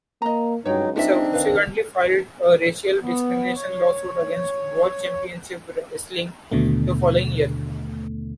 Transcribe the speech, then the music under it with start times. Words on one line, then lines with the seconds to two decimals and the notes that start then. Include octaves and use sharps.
He subsequently filed a racial discrimination lawsuit against World Championship Wrestling the following year.
0.22 A#3 D#5 A#5
0.65 C#2 G2 F#3 D#4 C#5 G5
0.96 C4 D4 D#4 F4 D5 E5
1.33 D#3 B4 F5
3.02 B3
3.55 C#5
6.52 D#2 B2 D3 A3